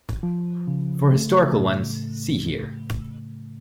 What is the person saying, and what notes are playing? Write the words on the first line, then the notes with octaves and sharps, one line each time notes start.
For historical ones, see here.
F3
C#3
A3
A2